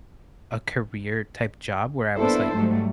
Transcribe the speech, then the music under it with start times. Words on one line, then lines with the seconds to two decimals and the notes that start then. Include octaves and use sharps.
a career-type job where I was like,
2.16 A#3 B3 D4 E4 A4 C5
2.54 G#2 F#3 G3 A3